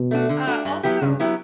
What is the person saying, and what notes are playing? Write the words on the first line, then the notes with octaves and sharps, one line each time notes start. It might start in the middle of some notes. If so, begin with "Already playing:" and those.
Uh, also
Already playing: B2
A3 D4 F#4
D3
A3 D4 F#4
G2
F#3 B3 E4 G4
G2 C#3
F#3 B3 E4 G4